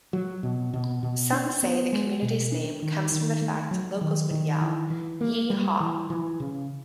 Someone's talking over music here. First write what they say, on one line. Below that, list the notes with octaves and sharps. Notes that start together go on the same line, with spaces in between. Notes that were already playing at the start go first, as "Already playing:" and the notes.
Some say the community's name comes from the fact locals would yell Yeehaw!
F#3
B2
B2
B2
D4
B3
G#3
B2
D4
D#3
D#3
A3
F#3
D#3
D#3
E3
E3
A#3
G3
E3
E3
C#3